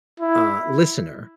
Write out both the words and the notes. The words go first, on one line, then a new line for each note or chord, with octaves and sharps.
uh, listener?"
E4